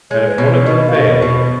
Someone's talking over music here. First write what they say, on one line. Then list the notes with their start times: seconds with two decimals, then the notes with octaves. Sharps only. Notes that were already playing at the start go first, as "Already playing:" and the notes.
And if one of them failed...?
0.11 G#3 C#5
0.28 B4
0.38 B2 C#5
0.66 B2 D#5
0.89 F5
0.94 B2 D#5
1.22 B2